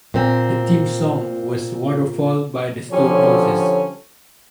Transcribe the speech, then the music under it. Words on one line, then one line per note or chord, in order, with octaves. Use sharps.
The theme song was "Waterfall" by The Stone Roses.
A#2 C4
D3 F3 G3 C#4 A4 C#5